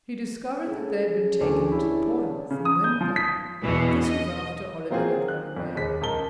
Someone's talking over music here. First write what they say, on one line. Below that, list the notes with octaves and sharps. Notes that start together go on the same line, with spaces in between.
He discovered that they had been taken into the poorhouse, and went there, but this was after Oliver had run away.
C#3 G#4 A4
D2 C#4 D4 A4
E4 G4
C#3
D#6
G6
F3
B6
E2 B2 E3
D#5
F#3 A#3 C4 F4 G#4
F#6
F2 C4
D#2 G#3 B6
C#2 A#4 A5 G7